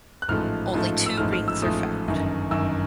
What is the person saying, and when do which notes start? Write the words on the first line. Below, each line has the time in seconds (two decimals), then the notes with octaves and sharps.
Only two rings are found.
0.22 F#6
0.28 A1 G#2 F3 A3 F6
0.73 A1 G#2 F3 A3
1.06 E6
1.18 A1 G#2 F3 A3 F6
1.33 F6
1.48 E6
1.62 A1 G#2 F3 A3 D#6
2.07 G1 F#2 D#3
2.51 G1 F#2 D#3 E6